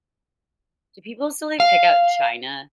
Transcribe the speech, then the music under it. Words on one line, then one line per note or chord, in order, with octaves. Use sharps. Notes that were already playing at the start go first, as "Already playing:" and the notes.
do people still, like, pick out china?
F5